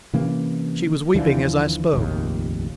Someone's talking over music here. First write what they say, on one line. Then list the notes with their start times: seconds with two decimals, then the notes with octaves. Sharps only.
She was weeping as I spoke.
0.13 C3 E3 A#3 C#4
1.14 D#2 D3 E3 F3
1.93 F1 A#1 D#2